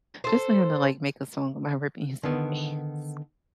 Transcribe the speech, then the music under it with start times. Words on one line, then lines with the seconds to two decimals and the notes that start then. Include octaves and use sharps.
just for him to, like, make a song about ripping his pants,
0.24 A4 C5
2.23 D3 D#3 B3